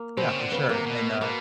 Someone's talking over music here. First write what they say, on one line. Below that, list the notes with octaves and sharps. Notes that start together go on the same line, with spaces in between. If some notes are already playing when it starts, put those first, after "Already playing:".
yeah, for sure and, uh,
Already playing: A#3
B2 C4
C#3
D3
C#3 B3
C3 A#3
B2
B2 A#3